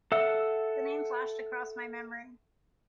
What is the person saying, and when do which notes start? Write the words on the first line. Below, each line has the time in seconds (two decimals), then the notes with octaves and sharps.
The name flashed across my memory.
0.12 A4 E5 F#5 E6